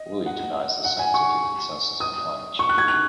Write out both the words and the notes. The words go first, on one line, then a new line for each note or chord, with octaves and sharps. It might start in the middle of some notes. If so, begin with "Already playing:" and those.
Wiehle denies the scientific consensus on climate change.
Already playing: D#5
F#5
F#5
G#5
C#6
D#6
C#6
F#6
G#6
F#6